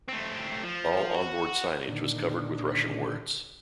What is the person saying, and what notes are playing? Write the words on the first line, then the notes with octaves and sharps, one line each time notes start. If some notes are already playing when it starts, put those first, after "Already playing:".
All onboard signage was covered with Russian words.
A3 C4
F3
F#4
A#2 D3 D#3 D4